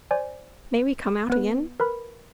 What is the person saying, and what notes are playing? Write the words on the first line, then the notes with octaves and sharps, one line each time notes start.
May we come out again?
C5 D5 G#5
B3 B4
A#4 B4 B5